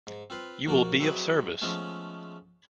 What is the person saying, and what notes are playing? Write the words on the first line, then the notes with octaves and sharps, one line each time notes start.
You will be of service.
G#2
C4 F4 B4 C6
A#1 A#3 F#4 D5
F#3 C4 E4 G#4 B4 D#5
F3 G#3 A3 B3 C#4